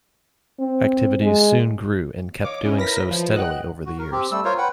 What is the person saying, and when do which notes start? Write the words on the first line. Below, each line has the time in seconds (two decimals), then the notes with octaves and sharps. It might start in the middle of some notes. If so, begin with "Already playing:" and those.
Activities soon grew and kept doing so steadily over the years.
0.59 C4
1.22 G#3
2.45 C#5 D#5 F5 D6
2.65 C#4 D#4 E4
2.78 A#4 B4 A#6 B6
3.11 F3
3.36 D#5 F#5 G5 F#6
3.86 F#4
3.99 A#4
4.12 C4 G4
4.32 G3 A3 E6
4.45 F4 A#4 C5 C#5
4.58 B4 F#5 G5